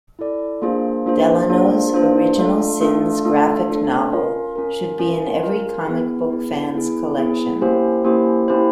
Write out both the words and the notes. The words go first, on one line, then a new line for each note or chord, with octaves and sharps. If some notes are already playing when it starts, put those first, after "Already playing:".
Delano's "Original Sins" graphic novel should be in every comic book fan's collection.
E4 A4 D5
A#3 D4 F4 G#4 C5
A#3 D4 F4 G#4 C5
A#3 D4 F4 G#4 C5
A#3 D4 F4 G#4 C5
A3 D4 F4 A4
A3 D4 F4 A4
A3 D4 F4 A4
A3 D4 F4 A4
C#4 F4 A#4
C#4 F4 A#4
C#4 F4 A#4
C#4 F4 A#4
B3 E4 G#4
B3 E4 G#4
B3 E4 G#4
B3 E4 G#4
A#3 C#4 E4 G4 C5
A#3 C#4 E4 G4 C5
A#3 C#4 E4 G4 C5